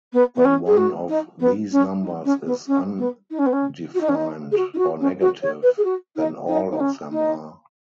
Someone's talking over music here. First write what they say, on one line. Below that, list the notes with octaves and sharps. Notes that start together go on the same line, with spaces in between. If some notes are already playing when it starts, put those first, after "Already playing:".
When one of these numbers is undefined or negative, then all of them are.
B3
B3
C#4
G#4
F#4
D#4
B3
C#4
D#4
C#4
B3
C#4
B3
D#4
C#4
B3
C#4
F#4
D#4
C#4
D#4
G#4
F#4
D#4
F#4
C#4
F#4
C#5
B4
G#4
F#4
D#4
D#4
D#4
C#4
D#4